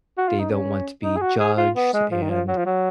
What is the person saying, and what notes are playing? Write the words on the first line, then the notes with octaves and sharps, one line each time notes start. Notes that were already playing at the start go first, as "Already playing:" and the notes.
they don't want to be judged, and
F#4
F4
D#4
C#4
D#4
G#4
F#4
G#4
F4
B3
G#3
F3
D#3
F3
F#3
F3
F#3